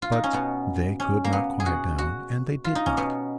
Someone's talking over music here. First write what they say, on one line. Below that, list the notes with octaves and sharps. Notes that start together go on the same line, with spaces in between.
But they could not quiet down and they did not.
F4
D#4
C#4
B2 B3
C#4
A#3
B3
G#4
B2 F#4
F#4
F4
D#4
C#4
B2 B3